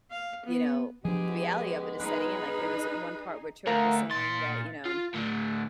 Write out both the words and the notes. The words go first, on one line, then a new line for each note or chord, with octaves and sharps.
you know the reality of it is setting in like, there was one part where Turk was saying that, you know
F5
B3
F3 G#3 B3 D4 G4 G#4
D#4 G#4 B4
D2 D3 A#4 F5 A#5
A#2 C6 A6
F4
A2 D3